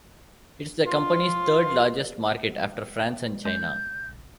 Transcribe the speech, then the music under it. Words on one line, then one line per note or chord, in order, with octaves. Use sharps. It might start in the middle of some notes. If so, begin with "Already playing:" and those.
It's the company's third largest market, after France and China.
F4
G#3 G6